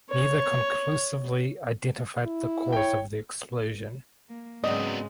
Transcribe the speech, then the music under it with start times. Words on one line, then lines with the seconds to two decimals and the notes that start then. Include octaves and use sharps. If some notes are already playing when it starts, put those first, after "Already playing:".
Neither conclusively identified the cause of the explosion.
0.10 C#5
2.26 E4
2.73 C#5 G5
4.29 A#3
4.64 G#2 C#3 F#3 G#3 B3 C4 D5 D#5